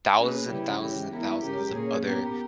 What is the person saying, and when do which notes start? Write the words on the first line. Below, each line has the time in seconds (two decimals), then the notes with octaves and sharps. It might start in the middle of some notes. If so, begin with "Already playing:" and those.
thousands and thousands and thousands of other,
0.17 A#3 C#4 G#4 B4
0.48 C#3 G3 C#4 E4 G4
0.79 E3 G#3 C#4 G4
1.12 G#3 B3 E4 A#4
1.42 C#3 G#3 C#4 G4 A#4
1.74 A#2 A#3 C#4 G#4 C#5
2.05 B3 G4 A#4